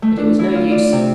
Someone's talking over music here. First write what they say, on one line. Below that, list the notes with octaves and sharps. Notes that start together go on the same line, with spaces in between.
But it was no use.
A3
D4
E4
F4
D5
C3